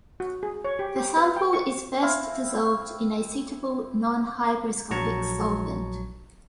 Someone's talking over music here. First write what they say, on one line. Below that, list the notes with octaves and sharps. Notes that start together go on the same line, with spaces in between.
The sample is first dissolved in a suitable, non hygroscopic solvent.
F#4
G#4
C#5
G4
G4
B4
G5
C#6
C4 E4 F5
A#1 F#3 A5 A#5 C#6 G#6